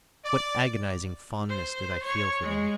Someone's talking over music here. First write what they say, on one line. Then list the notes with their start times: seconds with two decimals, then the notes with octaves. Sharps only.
What agonizing fondness did I feel for them!
0.25 D5
1.49 C5
2.03 C#5
2.42 G#3